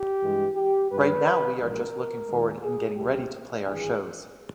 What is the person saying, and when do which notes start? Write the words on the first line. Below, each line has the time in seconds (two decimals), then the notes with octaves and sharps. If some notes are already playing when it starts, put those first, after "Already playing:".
Right now we are just looking forward and getting ready to play our shows.
Already playing: G4
0.21 G2 E3 G#3
0.55 G4
0.89 G2 G3 B4
1.58 A#1 G#2 E3 G#3 A#4
2.27 D#2 D#3 G#3
2.61 G#4
2.95 C#2 B2 G3 G4
3.65 G#1 G2 E3 G#4